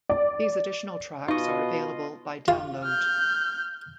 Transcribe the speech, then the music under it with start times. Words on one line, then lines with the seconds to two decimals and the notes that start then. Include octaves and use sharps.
These additional tracks are available by download.
0.09 D5
1.28 B2 D#4 F4 D#5 C#6
2.48 F4
2.84 F6 G6